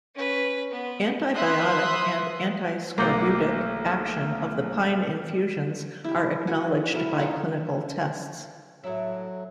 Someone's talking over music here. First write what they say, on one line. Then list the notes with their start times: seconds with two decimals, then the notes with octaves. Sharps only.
Anti-biotic and anti-scorbutic action of the pine infusions are acknowledged by clinical tests.
0.15 C#4 B4
0.71 B3
1.35 B4 E5 C6 D#6 F#6
2.98 B1 A3 A#3 D5 F#5 G6 A#6 C7
6.04 E4 G4
6.47 F#4 G#5
6.93 F#3 E4 A#4
7.19 D#4 F4 A4 C#5
8.84 A2 F#3 E4